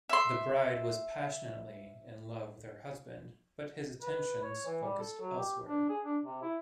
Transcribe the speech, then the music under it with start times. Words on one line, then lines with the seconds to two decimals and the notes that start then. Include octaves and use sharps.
The bride was passionately in love with her husband, but his attentions focused elsewhere.
0.09 E5 C6
4.02 B4
4.43 C#5
4.66 E3
4.84 G3
4.99 A4
5.20 F#3
5.38 G4
5.66 D4
5.89 G#4
6.05 D4
6.24 C3
6.42 E4